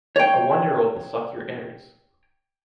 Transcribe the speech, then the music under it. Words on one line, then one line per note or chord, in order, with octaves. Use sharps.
A one-year old will suck your innards.
C#5 G5